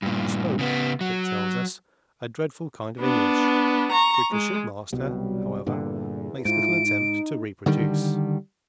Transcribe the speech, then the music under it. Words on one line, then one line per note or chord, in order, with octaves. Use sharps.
He spoke, Pitt tells us, a dreadful kind of English, which the shipmaster, however, makes little attempt to reproduce.
G2 A#2
C#3 B3
F#3
B3 D4
A#5 C#6
G#3
C2 B2 F#3 G3
E2 G2 A#2 D3
G#2 E4 F4 D7
D#4
D3 D#3 G3